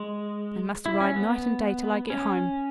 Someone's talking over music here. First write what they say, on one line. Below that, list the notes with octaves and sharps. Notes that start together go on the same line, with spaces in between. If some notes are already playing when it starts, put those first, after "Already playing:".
I must ride night and day till I get home.
Already playing: G#3
E4
C#4
B3
C#4